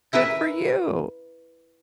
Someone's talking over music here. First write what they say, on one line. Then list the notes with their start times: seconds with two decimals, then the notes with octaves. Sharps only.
Good for you.
0.13 E4 A#4 B4 E5